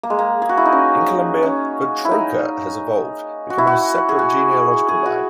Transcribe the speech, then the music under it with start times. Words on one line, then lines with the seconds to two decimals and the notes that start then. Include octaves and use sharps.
In Colombia the "trocha" has evolved, becoming a separate genealogical line.
0.03 A#3
0.10 G#3
0.19 A#3
0.42 G#4
0.49 F#4
0.57 E4
0.65 D#4
0.72 C#4
1.43 C#4
2.05 E4
2.11 D#4
3.50 F#4
3.58 E4
3.67 F#4
4.09 G#4
4.19 F#4
4.89 G#4
5.06 F#4